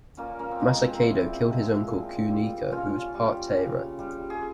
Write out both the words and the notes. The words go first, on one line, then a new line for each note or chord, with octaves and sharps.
Masakado killed his uncle Kunika who was part Taira.
A#2 A#3 C#4
A#3 C#4
C4
F3 G#3 A#3
C4
A#2 C4 E4
F3 G#3
A#2
G3
A#2 C#4 F4
G3
C#3
G3
G#4